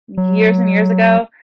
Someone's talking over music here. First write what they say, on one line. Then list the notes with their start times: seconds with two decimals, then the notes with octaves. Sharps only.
Years and years ago,
0.17 F#3